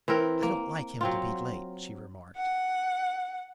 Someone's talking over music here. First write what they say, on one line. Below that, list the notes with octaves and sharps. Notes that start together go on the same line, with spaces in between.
"I don't like him to be late," she remarked.
E3 C4 A#4
A#3
F#3 C4 F4
F#5